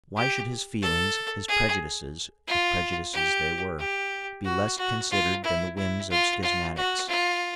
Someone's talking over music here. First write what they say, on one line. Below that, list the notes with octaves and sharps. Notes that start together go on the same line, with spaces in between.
Why should his feelings, his prejudices, if prejudices they were, be less considered than the whims of schismatics?
G4
A4
G#4
F4
G4
G4
F#4
F#4
F4
E4
E4
F4
F4
F#4
F4